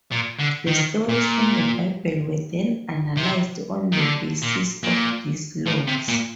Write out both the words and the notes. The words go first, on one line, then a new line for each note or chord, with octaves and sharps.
The stories in the Bible were then analyzed on the basis of these "laws".
A#2
D3
D#3
A#2
C3
D#3
D3
A#2
A#2
A2
C3
A#2